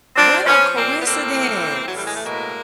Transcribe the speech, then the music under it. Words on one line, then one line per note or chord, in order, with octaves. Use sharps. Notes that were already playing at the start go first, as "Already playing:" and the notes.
What a coincidence.
F3 C4 D4
F3 B3 C#4
A#2 A#3 C4
B3
A2 A#3 C4
E3
E3
F#3
A2 G3
G#3
A3
B2 G#3 A#3